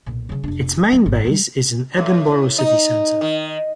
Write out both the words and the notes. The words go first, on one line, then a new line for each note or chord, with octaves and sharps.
Its main base is in Edinburgh city centre.
B1 A#2
C#3 F#3
F1 D4
F#3 E4
G#1
G3 G#3
A2
D#4
D#3